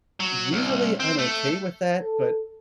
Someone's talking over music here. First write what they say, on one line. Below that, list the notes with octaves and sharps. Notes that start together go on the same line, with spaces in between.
Usually I'm okay with that but,
F#3
C2
C4
A3
A4